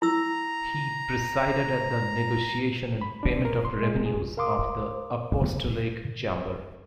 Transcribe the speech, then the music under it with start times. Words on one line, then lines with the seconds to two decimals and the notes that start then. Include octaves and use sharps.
He presided at the negotiation and payment of revenues of the Apostolic Chamber.
0.02 E4 A#5 E6
3.01 B5
3.23 D4
3.45 A#4
3.65 C6
3.82 G#3
4.06 G#4
4.37 A#4 F5 C6 D6 D#6